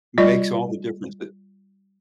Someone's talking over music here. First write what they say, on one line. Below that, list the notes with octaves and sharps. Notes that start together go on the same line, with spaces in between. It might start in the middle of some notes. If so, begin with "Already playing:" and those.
makes all the difference that
G3 F4 D5 D#5